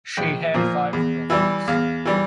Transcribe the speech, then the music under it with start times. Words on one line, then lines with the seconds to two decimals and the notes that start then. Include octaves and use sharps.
She had five brothers.
0.17 A#1 G5
0.54 A#2 F3 A#3 A#4
0.93 E2
1.30 E3 G3 E5
1.67 E2 F5
2.05 E3 G3